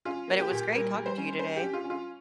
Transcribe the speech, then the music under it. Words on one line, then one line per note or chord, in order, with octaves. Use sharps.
But it was great talking to you today.
C#4 F4
A#3
G4
A#2
G3 A#4
G3
C5
C#4
C#4 C5
G4
C#4
F4
C#4
F4